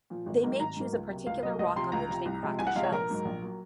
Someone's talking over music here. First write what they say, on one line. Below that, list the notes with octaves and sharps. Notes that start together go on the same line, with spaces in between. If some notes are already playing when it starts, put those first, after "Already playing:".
They may choose a particular rock on which they crack the shells.
A#2 F3
G#1
G#2 F#3 A#3
G#1 A#5
G#2 F#3 A#3
C#2
C3 F#3 A#3
C#2 F5
C3 F#3 A#3 D#5
C#2 D#5
C3 F3 C6
C#2 A#5
C3 F3
C2
C3 F3 G#3
C2 G#5
F#5
C3 F3 G#3 F5
C#5
A#1 A#4
G#2 F#3 A#3
A#1
F#3 A#3